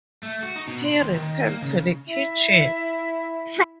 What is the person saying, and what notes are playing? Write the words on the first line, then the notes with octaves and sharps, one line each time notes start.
He returned to the kitchen.
A3
F#4
D#4
B2
C6
D#2
D#3
A#3
C#3
E4 E5